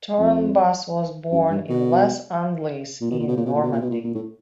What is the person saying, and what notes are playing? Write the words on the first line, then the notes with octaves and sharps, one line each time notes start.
Turnebus was born in Les Andelys in Normandy.
F2
F#2
G2
B2
A#2
B2
A#2
B2
A#2
B2
A#2
B2
A#2
B2
A#2
A#2
A2